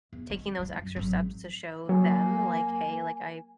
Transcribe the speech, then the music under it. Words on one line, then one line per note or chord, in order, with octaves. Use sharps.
taking those extra steps to show them, like, "Hey. Like, I'm
E2
G#3 C4
G3 E4
F#2
G#1 F#3
F#3 A#3 G#5